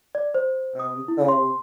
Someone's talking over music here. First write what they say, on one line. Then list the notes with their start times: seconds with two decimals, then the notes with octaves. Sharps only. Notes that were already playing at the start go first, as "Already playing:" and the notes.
um so,
0.15 D5
0.34 C5
0.80 D#6
1.08 E4
1.28 C6